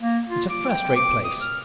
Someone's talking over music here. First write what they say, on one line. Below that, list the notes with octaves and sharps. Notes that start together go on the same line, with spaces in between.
It's a first-rate place!'
A#3
F4
D6
G5
D6
D#6
F6